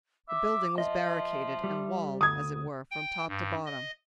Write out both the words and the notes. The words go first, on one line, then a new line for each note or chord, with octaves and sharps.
The building was barricaded, and walled, as it were, from top to bottom.
E5 D6
F3 D#5 E5
G3
D2 D#6 G#6
G5
G2
D#5